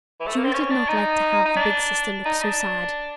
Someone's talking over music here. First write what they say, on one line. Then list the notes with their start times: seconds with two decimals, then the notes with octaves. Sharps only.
Julie did not like to have the big sister look so sad.
0.20 E3
0.27 A3
0.37 A#3
0.45 C4
0.53 C#4
0.71 D4
0.88 D#4
1.45 D#4
1.56 D4
2.25 D#4
2.42 D4